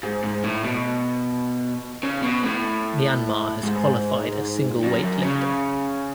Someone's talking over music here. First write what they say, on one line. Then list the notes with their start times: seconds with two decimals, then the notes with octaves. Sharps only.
Myanmar has qualified a single weightlifter.
0.03 G#2
0.24 G#2
0.44 A2
0.64 B2
2.03 C#3
2.23 B2
2.44 A2
3.63 G#2
4.84 F#2
5.03 F#2
5.23 C#3